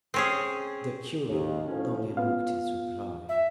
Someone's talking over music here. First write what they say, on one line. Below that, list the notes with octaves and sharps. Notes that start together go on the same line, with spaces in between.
The curate only looked his reply.
C4 C#4 G#4
D#2
D2 A2 F3 C#4
B3 F4 F5
E5